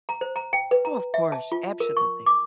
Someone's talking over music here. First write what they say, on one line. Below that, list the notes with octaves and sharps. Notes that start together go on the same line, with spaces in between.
Oh, of course, absolutely.
A#5
C5
A#5
G5
B4
A#5
E5
A5
F4
A#4
C#6
D6